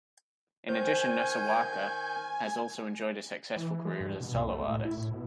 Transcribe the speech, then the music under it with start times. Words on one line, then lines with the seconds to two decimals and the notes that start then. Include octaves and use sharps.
In addition, Nosowska has also enjoyed a successful career as a solo artist.
0.69 D#3 C5 G#5 G6
3.56 E3
3.85 G#3
4.00 G2
4.21 B2
4.35 C2
4.50 A3
4.68 A2
4.85 E4
4.97 A2
5.11 B2